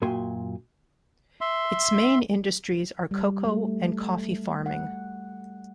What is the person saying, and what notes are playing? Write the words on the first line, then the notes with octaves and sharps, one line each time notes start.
Its main industries are cocoa- and coffee-farming.
F#2 A#2 F#4 G5 G#5 C6
E5 C6
G3
A3
F#5